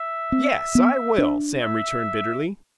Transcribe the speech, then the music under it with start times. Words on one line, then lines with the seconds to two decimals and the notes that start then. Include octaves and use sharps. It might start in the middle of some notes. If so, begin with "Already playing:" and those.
"YES, I will!" Sam returned bitterly.
Already playing: E5
0.32 C4
0.75 B3
1.18 D4
1.61 E5